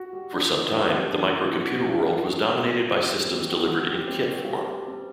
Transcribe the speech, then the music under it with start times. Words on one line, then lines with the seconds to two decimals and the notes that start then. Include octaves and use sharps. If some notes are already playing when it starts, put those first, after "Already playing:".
For some time the microcomputer world was dominated by systems delivered in kit form.
Already playing: F#4
0.13 G3
0.33 D4
0.52 E3
0.72 F#4
0.92 G3
1.12 D4
1.31 E3
1.51 F#4
1.71 G3
1.91 D4
2.10 E3
2.30 F#4
2.50 G3
2.70 F#4
2.89 G3
3.09 G3
3.29 C4
3.48 F#4
3.68 G3
3.88 G3
4.08 C4
4.28 F#4
4.47 G3
4.67 G3
4.87 C4